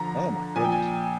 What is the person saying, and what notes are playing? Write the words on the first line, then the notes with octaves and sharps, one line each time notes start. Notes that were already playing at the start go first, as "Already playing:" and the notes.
Oh, my goodness.
Already playing: D3 F3 A#5
A#2 F3 G#5
G5
G#5